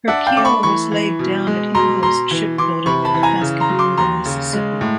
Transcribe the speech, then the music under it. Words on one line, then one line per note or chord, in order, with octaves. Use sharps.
Her keel was laid down at Ingalls Shipbuilding of Pascagoula, Mississippi.
D4 E5 F#5
F5 G5
A3 D6
B5 C#6
E3 B5 C#6
E3
B2
G#3
B2 A#5 C6
B2 A#5 C6
E3
E3 C6 D6
C3 B5 C#6
A5 B5
E3
G#5 A#5
C#3
A#5 C6
F#3
C6 D6
D#2 A#5 C6
C#3
G#3
A2